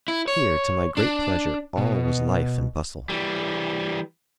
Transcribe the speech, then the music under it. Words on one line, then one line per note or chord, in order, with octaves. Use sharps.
Here, to my great pleasure, all was life and bustle.
E4
C#5
D4
B2
E3 G3